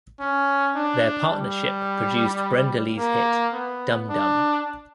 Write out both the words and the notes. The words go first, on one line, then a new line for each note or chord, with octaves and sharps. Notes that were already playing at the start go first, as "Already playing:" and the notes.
Their partnership produced Brenda Lee's hit Dum Dum.
C#4
D4
G3
A#3
B3
D4